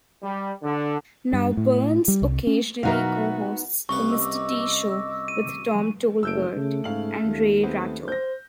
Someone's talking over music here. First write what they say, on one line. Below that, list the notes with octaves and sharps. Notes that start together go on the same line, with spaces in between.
Now Byrnes occasionally co-hosts the Mr. T. show with Tom Tolbert, and Ray Ratto.
G3
D3
G2
A2
G3
C2
C#4
B2 F#3 B3 D#4 F#4 A#4 E5 F5
C2 C#3 B4 C#6
D#5 D6 E6
D#7
F#1 A3 E6 G6 D7
C#3 A3
G#2 C#3 F5 F#7
D#2
A3 B3 C4
C5 G6 A#6